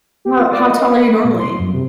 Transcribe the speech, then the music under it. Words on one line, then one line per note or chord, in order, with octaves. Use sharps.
How how tall are you normally?
G4
F4
D5
D#5
F5
B5
A3
A#2
C6
F#2
C3